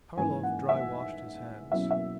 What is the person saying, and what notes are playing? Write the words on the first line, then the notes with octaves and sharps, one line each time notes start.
Karlov dry-washed his hands.
G#2 E3 C#4 E4 G#5
F#5
E5
B2 F#3 C#4 E4 E5
E5